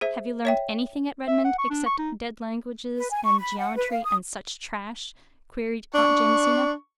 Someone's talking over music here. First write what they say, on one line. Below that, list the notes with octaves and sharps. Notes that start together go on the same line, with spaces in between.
"Have you learned anything at Redmond except dead languages and geometry and such trash?" queried Aunt Jamesina.
G#4 C5 E5
C#5 E5 G5
E5
F#5
C#6
D4
C#6
D#4
B4
G#5
C#6
B5
F#5
B4
F5
D#6
D4 C#6